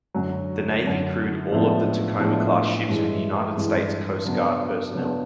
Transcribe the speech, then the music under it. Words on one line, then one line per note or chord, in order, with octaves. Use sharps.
The Navy crewed all of the "Tacoma"-class ships with United States Coast Guard personnel.
F#2 D3 F#3
F#2 D3 F#3
A2 F3 G#3 B3 D4
A2 F3 G#3 B3 D4
G2 E3 G#3
G2 E3 G#3
C#3 F#3 B3 D4
C#3 F#3 B3 D4